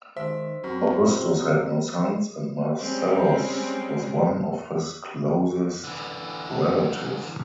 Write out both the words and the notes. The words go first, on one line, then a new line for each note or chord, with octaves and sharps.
Augustus had no sons, and Marcellus was one of his closest relatives.
D#3 G#3 C5 E5
F#2 F#3 C4
G3 G#3 C4 C#4
D3 E3